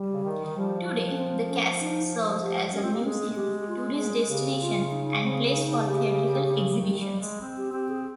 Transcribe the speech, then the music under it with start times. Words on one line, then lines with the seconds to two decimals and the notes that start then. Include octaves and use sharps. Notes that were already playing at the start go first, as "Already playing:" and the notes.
Today the castle serves as a museum, tourist destination and place for theatrical exhibitions.
Already playing: G3
0.13 C#3
0.24 D#3
0.45 D#3
0.55 F3 G3
1.09 C#4
1.18 C4
1.49 C#4
1.80 D#4
2.43 G4
2.72 C#4 G4
2.83 C4 F4
2.92 A#3 G4
3.04 G#3 G#4
3.36 G4
3.59 G4
3.67 F4
3.98 G#4
4.29 C#3 G4
4.55 G4
4.61 F4
4.91 D#4
5.23 C4
5.54 D#4
5.86 G4
6.79 D#3
6.99 G3
7.20 G#3
7.41 C4
7.57 G4
7.72 C4 G4
7.88 G#4